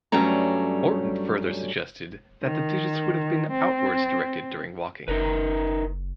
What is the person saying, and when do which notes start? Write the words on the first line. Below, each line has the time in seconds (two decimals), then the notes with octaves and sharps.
Morton further suggested that the digits would have been outwards directed during walking.
0.12 G2 F#3 G3 A3 C#4 A#5
2.43 D#3
3.51 C4
5.08 F#1 D#4 A#4 B4